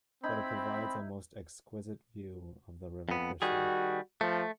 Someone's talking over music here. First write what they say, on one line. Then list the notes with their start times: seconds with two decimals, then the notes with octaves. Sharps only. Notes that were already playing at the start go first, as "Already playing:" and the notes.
But it provides a most exquisite view of the river Krishna.
0.24 C4 D#4 E4 B5
3.09 F2 B3
3.42 D#3 G3 F#4 G#4
4.21 F3 A3